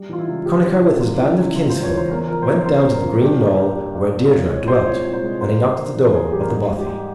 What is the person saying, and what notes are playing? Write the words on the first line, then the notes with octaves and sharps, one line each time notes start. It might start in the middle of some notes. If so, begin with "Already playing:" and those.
Connachar with his band of kinsfolk went down to the green knoll where Deirdre dwelt and he knocked at the door of the bothy.
Already playing: G3
E3 F4
E4
C#2
C#3 G4
G3
E4
E3
C#2 F4
E4
E3
C#4
C#2 E4
C#3 F4
C5
C#2
C#5
E3
C5
E2 A#4
F3 A#4
C5
E2 C#5
C#3 C5
E2
A#4
F3
G2 G4
A#3
G2
G3
G2
A#3
F4
C2 E4
G#3 C#5
C2 C5
A#2 C#5
C2
C5
G#3
A#3 C5
G3
G2
E3 A#4
A#3 G#4
G3 G4
A#4
G#2 G#4
G#3
G4
G#2